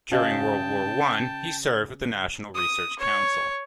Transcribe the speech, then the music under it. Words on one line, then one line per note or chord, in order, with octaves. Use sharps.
During World War One, he served with the National Research Council.
C#3 F#4 D#5 G5 A5
D#6
C#5